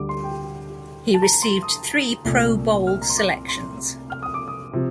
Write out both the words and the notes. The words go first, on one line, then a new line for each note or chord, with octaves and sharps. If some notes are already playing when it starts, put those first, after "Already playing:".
He received three Pro Bowl selections.
Already playing: D2 D3 G3 D6
C6
G5
A5
A#5
C6
D#6
C2 A#2 A3
F6
A#5
C6
D6
C6
F6
D#6
D6
D#6
C3 F3